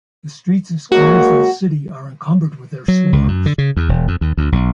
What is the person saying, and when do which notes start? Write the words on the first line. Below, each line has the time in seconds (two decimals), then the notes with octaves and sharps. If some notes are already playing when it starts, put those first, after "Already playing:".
The streets and squares of the city are encumbered with their swarms.
0.92 F#3 G#3 A#3 F#4
2.88 F#3
3.13 C#2
3.28 F#2
3.46 D3
3.58 C#3
3.77 E2
3.89 E1
4.08 F2
4.21 D#2
4.37 D2
4.52 B1